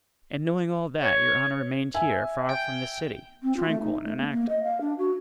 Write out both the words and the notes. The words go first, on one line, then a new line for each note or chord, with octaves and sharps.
"And knowing all that, your honor remained here, far from the city, tranquil and inactive."
C#5
E5 G#5
G5
C4
F4
A3
D#4
A3
B3
A#3
D#5
F5
D4
F#4